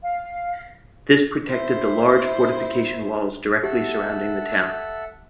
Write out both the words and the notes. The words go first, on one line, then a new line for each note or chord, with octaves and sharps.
This protected the large fortification walls directly surrounding the town.
F5
E4 C5
G4 A4 E5 F#5